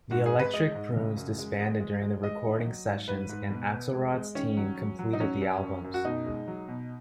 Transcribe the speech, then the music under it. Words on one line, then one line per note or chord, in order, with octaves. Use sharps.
The Electric Prunes disbanded during the recording sessions and Axelrod's team completed the albums.
G#2 F#4
G#4
G#3
B4
G#3 D#5
G#2
C#3
F#2
G#3
G#3
G#3
G#3
G#3 D#5
D#3
F#3
G#2
G#2 B4
G#2
B2
B2
G#3
G#3
D#3 C#4
F#3
F#3
F#3
D#4
F#3 C#4
F#2
F#2
F#2
F#4
B2 D#4
G#3
F#3
B2